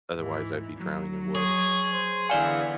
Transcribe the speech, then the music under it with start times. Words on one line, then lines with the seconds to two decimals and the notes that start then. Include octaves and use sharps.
otherwise I'd be drowning in wood.
0.15 G#2 E3
0.76 F#3
1.35 G#4 C#5
1.94 C5
2.30 D3 E3 B3 D5 F5 G#5